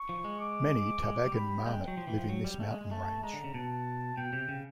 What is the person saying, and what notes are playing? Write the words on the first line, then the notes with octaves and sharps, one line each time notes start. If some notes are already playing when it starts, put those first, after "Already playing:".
Many Tarbagan marmot live in this mountain range.
Already playing: C#6
F3
G#3
D6
G#3 D6
G3
B5
G#3 G5
F#3
F3
E3
F3
F#3
G3
A3
G#3
G#3
A3 A5
G#3 A#5
D3
C#3
B2 A5
B2 G5
C3
C#3